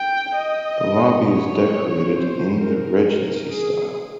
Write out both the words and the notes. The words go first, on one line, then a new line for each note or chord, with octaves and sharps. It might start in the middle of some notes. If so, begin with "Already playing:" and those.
The lobby is decorated in the Regency style.
Already playing: G5
D#5
C#5
C5
A#4
G#4